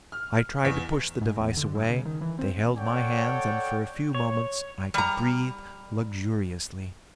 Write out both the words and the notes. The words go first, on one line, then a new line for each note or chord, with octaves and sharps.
I tried to push the device away. They held my hands, and for a few moments I could breathe luxuriously.
F6
E2
G#2
E2
D3
G2
C#3
D#3
E3
C4
A4 C#5 D5 F#5 G5
C#5
G3 A#5